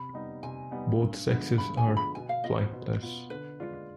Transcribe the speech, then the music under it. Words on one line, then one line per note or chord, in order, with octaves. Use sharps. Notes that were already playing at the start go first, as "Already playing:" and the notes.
Both sexes are flightless.
Already playing: C3 B5
G3 B3 D#4
C3 G#5
G3 B3 D#4
G2
D3 F3 G#3 B3
G2 B5
G#5
D3 F3 G#3 B3
B5
B2 G#5
F5
B3 F4 D#5
C5
B2
B3 F4
D3 B4
G#3 D4 F4